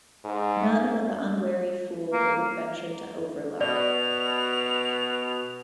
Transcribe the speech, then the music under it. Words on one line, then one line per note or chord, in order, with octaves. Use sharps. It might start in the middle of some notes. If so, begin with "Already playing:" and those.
None but the unwary fool would venture to Overlook.
G#2
A#3
B2 D5 F7